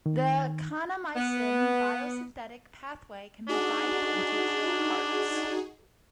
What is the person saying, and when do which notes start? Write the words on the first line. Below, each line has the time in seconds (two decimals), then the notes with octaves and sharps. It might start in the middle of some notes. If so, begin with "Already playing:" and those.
The kanamycin biosynthetic pathway can be divided into two parts.
0.06 D#3
1.16 B3
3.49 D4 D#4 F#4 G#4